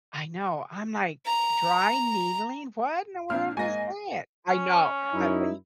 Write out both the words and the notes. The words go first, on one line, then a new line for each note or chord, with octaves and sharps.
I know, I'm like, dry needling, what in the world is that? I know. I uh e
A#5
A#2 C4 D4 F6
G#2 A#3 D#5 G#5 A#6
C#4
F#2 D#4 E4